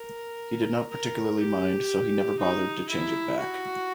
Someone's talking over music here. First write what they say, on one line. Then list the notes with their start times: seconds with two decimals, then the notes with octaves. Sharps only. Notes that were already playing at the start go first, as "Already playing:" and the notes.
He did not particularly mind, so he never bothered to change it back.
Already playing: A#4
0.90 A#4
1.39 G4
2.39 D#4
2.89 E4
3.39 F#4